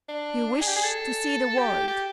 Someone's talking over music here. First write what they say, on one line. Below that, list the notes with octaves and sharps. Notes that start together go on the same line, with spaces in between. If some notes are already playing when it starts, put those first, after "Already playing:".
'You wish to see the world.
D4
G#4
G4
G#4
A4
G4
G4